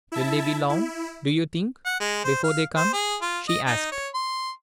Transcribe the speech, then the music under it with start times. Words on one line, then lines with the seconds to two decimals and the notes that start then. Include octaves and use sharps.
"Will they be long, do you think, before they come?" she asked.
0.12 E4 E5 A5
0.69 E4
1.85 F#5
2.00 G#3
2.24 C5
2.44 F5
2.76 C5
2.93 G#4
3.22 F4
3.48 D#5
3.66 D#4
3.91 C#5
4.14 C6